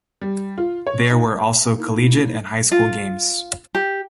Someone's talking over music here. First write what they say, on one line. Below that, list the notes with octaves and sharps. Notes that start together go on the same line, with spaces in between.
There were also collegiate and high school games.
G3
F4
C#5
D#4
A#3 D#4 E4
F4
G4